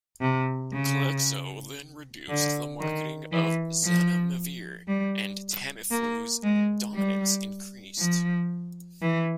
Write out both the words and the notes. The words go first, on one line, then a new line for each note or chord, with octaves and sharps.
Glaxo then reduced the marketing of zanamivir, and Tamiflu's dominance increased.
C3
C#3
D3
D#3
E3
F3
G3
A#3
G#3
G3
F3
E3